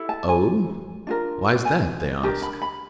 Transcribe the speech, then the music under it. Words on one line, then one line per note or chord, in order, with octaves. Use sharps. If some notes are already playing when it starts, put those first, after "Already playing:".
"Oh! why's that?" they ask.
Already playing: E4 A4
A5
G#5
D4 F4 A#4
G#5
D4 G4 A#4 A5
B5
B5